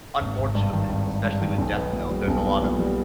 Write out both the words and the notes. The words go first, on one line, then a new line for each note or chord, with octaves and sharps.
unfortunate eh, especially with Death Note, there's a lot of
G#1
G#1
G2
D#3
G#1
G#1
G2
D#3
B1
B3
A#2
G3
B1
B3
A#2
G3